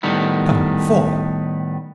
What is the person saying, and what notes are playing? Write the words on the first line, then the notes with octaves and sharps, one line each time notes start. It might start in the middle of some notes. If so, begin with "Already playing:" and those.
Come, four?
A2 D#3 G3 B3